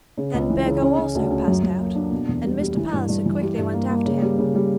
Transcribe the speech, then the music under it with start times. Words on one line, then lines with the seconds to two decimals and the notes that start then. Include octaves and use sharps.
Then Burgo also passed out, and Mr. Palliser quickly went after him.
0.18 C#3
0.34 C#2
0.50 E3
0.66 C#3
0.82 C#4
0.98 C#3
1.15 D2
1.31 C#4
1.47 F#2
1.63 F#2
1.79 A#3
1.95 D4
2.12 B2
2.28 E2
2.44 G3
2.60 G3
2.76 E3
2.93 G2
3.09 G2
3.26 E3
3.41 G3
3.58 G2
3.74 A#3
3.90 A#3
4.06 C#3
4.22 G3
4.39 C#3
4.55 G3